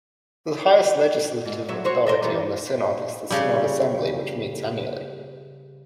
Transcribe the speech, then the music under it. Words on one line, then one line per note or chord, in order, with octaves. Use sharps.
The highest legislative authority of the synod is the Synod Assembly, which meets annually.
G#2
G2 F#3 E5
F#4 C5 C#5
A4 A#4 C5
E3 G3 B3
C#3 G3